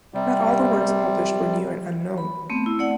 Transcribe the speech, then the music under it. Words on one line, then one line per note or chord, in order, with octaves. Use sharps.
Not all the works published were new and unknown.
C3 G3
B5
A3 B3 C4
E4
A3 D5 F#5